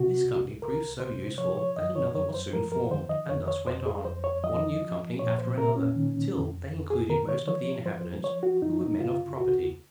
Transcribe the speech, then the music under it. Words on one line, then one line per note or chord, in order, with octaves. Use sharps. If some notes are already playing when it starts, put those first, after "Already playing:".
This company proved so useful, that another was soon formed; and thus went on, one new company after another, till they included most of the inhabitants who were men of property.
Already playing: C3 F#4
C2
C2 A#4
C3 C5
F3 C#5
C#5
F#2 D#5
C#5
F#2 C#5
C5
F3 A#4
A#4
D#3 C5
D#5
F2 C#5
C#5
F2 C5
G#4
F2 C5
C#5
F3 D#5
F3
A#2 C#5
C5
A#2 A#4
C#4
D#3
F2
F2
G#4
D#3 A#4
C#5
F3 C#5
F3 C5
F3 C#5
F#4
F#2 D#4
D#4
C#3 F4
C#2 F#4